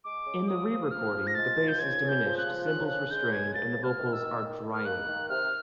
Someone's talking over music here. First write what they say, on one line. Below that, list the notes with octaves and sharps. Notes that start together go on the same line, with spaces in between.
In the re-recording the bass is diminished, cymbals restrained, and the vocals are "drier".
G#3 D6
C#3
F3 D#6
F3
F3 F6
F3
A#6
G#3 A6
F3
G6
C#3 G#6
C#3
G6
F3
F#6
F3
C#3 F#6
C#3 F#6
G#3 G6
C#3 G#6
A#3 A6
C3
F6
D#3
E6
D#3
D#3
D#3
F6
A#3 F#6
D#3
C3 F6